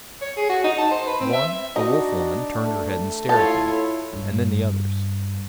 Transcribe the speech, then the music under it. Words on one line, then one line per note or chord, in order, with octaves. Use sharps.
One, a Wolf-woman, turned her head and stared at me, and then the others.
C#5
G#4
F#4
D#4
A5
C5
B4
C4
E5
D4 D#4 F#4
A3
E4 F4 A4 C#5
G2